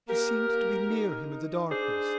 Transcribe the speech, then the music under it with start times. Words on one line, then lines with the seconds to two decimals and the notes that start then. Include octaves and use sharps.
She seemed to be near him in the darkness.
0.08 A#3 G4 A#4
0.49 A#3
0.89 D#4
1.30 D#4
1.70 D4 G#4 C5